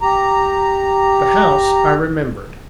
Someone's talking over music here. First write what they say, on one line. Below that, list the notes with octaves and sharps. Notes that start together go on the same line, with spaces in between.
The house I remembered.
G4 A#5